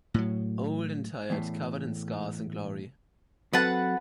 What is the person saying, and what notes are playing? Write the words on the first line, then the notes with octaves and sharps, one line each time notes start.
Old and tired, covered in scars and glory.
A2 F#3
E2 A2
F#3 C4 A4 B4 F#5 A5